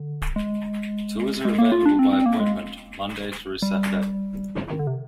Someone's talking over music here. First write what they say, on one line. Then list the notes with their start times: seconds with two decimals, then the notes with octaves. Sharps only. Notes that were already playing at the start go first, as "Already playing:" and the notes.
Tours are available by appointment, Monday through Saturday.
Already playing: D3
0.36 G#3
1.45 G#3
1.58 A#3
1.72 F4
1.86 D4
1.99 C4
2.13 C4
2.26 A#3
2.40 G#3
3.62 G3
4.70 D#3
4.79 D3
4.87 C3